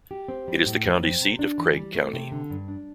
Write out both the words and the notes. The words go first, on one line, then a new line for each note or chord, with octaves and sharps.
It is the county seat of Craig County.
G4
C4
G3
A2
F2
C4
C3
D4
E3
G3
A3
C3
D3
G2
D4